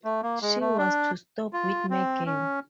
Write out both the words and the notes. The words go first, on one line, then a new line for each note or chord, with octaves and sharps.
She was to stop with Megan.
A3
A#3
G#3
A3
D4
F4
C4
C#4